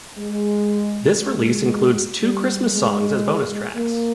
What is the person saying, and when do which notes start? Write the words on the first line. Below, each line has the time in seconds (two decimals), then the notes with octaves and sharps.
This release includes two Christmas songs as bonus tracks.
0.18 G#3
1.20 G#3
2.22 G3
2.74 G#3
3.75 A#3